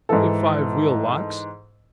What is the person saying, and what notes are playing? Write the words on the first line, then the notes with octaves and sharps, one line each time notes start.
Twenty-five wheel locks!
G#2 E3 A4